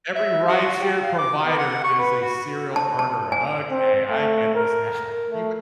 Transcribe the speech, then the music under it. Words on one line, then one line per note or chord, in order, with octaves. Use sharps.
every rideshare provider is a serial murder, okay, I get this now. You w
E5
F#4
G4
F5
D6
B3
F#5
C#6
B4
F#4
A5
A5
G#5
C4
A3
A#4
A3